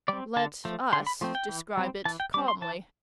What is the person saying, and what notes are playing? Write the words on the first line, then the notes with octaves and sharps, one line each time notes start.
Let us describe it calmly.
G3 C4 D5
D3 A5
F3 A3
D3 C6
B5
F3 A3 C4
G5
E3
G3 C4
E3 A5
G5
G3 C4 D6
C6
E3 A5